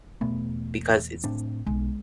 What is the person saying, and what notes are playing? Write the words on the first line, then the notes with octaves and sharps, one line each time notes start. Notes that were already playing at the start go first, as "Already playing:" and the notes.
because it's
E2 B2 A3 B3
A2 C4 D4
B1 G#3